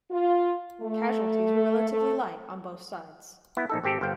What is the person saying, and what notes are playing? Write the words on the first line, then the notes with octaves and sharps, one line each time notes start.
Casualties were relatively light on both sides.
F4
A3
A3
B3 E4
A#1 D#4 A4
G#1 C4 G4 A4
G1 C5 F5 G5